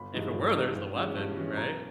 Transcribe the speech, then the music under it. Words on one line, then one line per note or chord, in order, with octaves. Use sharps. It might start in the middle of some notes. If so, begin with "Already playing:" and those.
"if it were, there's the weapon," right?
Already playing: G1 B5
G2 E3 G#3 D#4
G1
G2 E3 G#3 D#4
G2
E3 G#3 C#4
G2
E3 G#3 C#4
B1 A#5